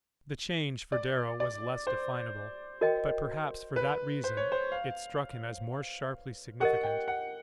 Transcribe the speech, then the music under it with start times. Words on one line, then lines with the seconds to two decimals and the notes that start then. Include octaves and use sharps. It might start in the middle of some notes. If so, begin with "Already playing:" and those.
The change, for Darrow, was less definable; but, perhaps for that reason, it struck him as more sharply significant.
0.92 D5
1.40 D5
1.87 C5
2.81 F#4 A#4 D#5 G5
3.76 B4
4.24 C5
4.37 C#5
4.52 C5
4.72 F5
6.60 G4 A#4 D#5 F#5
6.83 G5
7.08 F#5